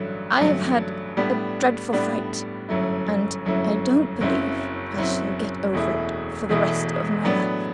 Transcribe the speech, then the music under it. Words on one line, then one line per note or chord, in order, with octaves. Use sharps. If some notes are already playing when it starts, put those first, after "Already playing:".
"I have had a dreadful fright; and I don't believe I shall get over it for the rest of my life."
Already playing: A1 G2 D3 F#3 A3
A1 G2 D3 F#3 A3
A2 G3 B3 D4
A2 G3 B3 D4
G1 F#2 F#3 A3 E4
G1 F#2 F#3 A3 E4
F#1 F#2 F#3 C4 E4
F#1 F#2 F#3 C4 E4
E1 E2 B2 A3 E4
E1 E2 B2 A3 E4
A2 F#3 B3 D4